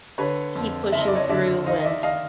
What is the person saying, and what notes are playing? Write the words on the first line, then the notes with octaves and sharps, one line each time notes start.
keep pushing through, and
D3 B4 C#5
F2
F#1 E5
D#5
D5
C#5 D#5
D3 D5 E5
D#3 D#5 F5
D#5
D5 E5
D#3 D#5 F5